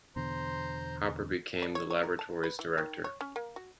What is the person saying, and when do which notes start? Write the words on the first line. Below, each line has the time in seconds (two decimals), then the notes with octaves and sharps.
Hopper became the laboratory's Director.
0.16 E2 B2 D3 C5 A#5 C6
1.62 D5
1.75 C#5
1.90 C#5
2.03 A#4
2.19 A5
2.43 B4
2.59 E3
2.78 D#3
3.04 C#5
3.21 C#4
3.36 A#3
3.56 F#4